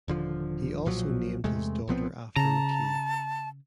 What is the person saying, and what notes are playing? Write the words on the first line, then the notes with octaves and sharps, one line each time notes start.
He also named his daughter after McKee.
D#1 D3 F3
B1 A#2 F3 F#3
E2 C3 G#3 A3
B1 F3 B3 C4
C#3 A5 A#5